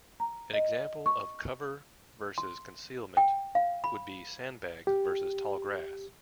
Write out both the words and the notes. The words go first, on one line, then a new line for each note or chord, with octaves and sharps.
An example of "cover versus concealment" would be sandbags versus tall grass.
A#5
D#5
C#6
C6
G5
F5
B5
G4